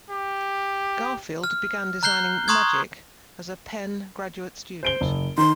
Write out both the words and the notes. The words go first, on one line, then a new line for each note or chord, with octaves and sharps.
Garfield began designing "Magic" as a Penn graduate student.
G4
F6
A#5 F#6 G6 C7 G7
A#5 C6 C#6 D#6 F#6 G#6
C5 D7 G7
F#1
D#3 C6